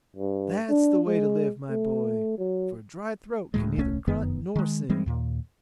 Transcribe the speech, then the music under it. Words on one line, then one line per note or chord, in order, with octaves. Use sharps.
"That's the way to live, my boy, for a dry throat can neither grunt nor sing."
G2
D4
G#3
A3
F#3
D2 A2 F#3 G#3
D#1 C2 A3 C#4
F1 F#2 D#3 B3
D#3 G#3
E3 G3 G#3 C4
D#2 A#2